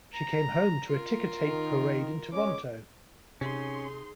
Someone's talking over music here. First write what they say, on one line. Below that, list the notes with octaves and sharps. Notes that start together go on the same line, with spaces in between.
She came home to a ticker tape parade in Toronto!
A#5
F4 A#4
D#3
G#3 C#4 D6
C3 C#4 D#4 G#4 C6